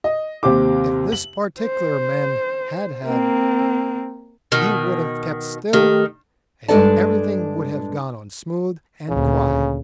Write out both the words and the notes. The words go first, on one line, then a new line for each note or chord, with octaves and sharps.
If this particular man had had, he would have kept still, and everything would have gone on smooth and quiet.
D#5
D#2 C3 G4 C5 D6
F#7
C5
A#3 C4
B2 D#3
D#3 A3 G4 A4
G2 G#3 D4 A4 D5 A5
D2 A#2 C#3